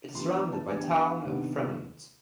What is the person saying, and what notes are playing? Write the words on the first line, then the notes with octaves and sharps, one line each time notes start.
It is surrounded by Town of Fremont.
E3 G3 B3 D4 C6
A#5
A5
E3 G3 B3 D4 G#5
G5
F5
F#5
F5
C3 D#3 G3 B3 D4 F#5